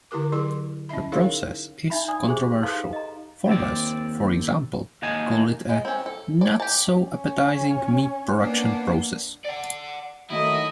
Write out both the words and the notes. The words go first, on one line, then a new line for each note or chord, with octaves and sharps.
The process is controversial; "Forbes", for example, called it a "not-so-appetizing meat production process".
D3 E4 G4 A#4 D6
F#3 E4 G#4 C6
C#4 E4 D#5 E5 B5
D#4 E4 G#4 A#4 C#5 F5
D4 D#4 E5 B5
D5 G#5 D#6
D4 G4 G#4 C5
D#4 A4 B4 F5 C6
D#5 A#5
D#2 C4 D5
D#2 A#3 D#4 D#5 G#5 A5
G#3
C4 C#4
A4
C#5 D5
G4 A5
C#4
A#3 B3 D4
D5 F#5
D#3 F#3 A3 E4 D#5